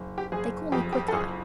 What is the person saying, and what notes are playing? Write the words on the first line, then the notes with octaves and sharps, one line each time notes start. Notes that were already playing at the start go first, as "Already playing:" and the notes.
They call me Quickeye.'
Already playing: F#1
G4
F#1 G#4
F2 G4
G4
A4
F#1 G#4